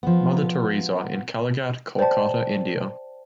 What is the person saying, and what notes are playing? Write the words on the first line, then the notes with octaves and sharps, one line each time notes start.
Mother Teresa in Kalighat, Kolkata, India.
F3 B3
C5 D5 G5 A5